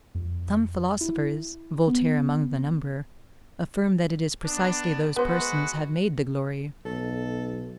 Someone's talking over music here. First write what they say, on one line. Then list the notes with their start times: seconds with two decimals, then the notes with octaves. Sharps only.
Some philosophers--Voltaire among the number--affirm that it is precisely those persons have made the glory.
0.15 F2
1.01 E4
1.87 B3
4.45 B3 D4
5.16 G#3 B3 F#4 B4 C5
6.85 B1 A4